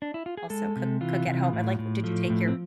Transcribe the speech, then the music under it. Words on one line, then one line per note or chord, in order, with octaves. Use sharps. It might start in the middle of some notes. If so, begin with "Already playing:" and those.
also cook cook at home, and, like, did you take your
D4
E4
F4
G#4
G#3 A4
C3
E3 F4
C3
A2
A2
F3 A3
A2
C4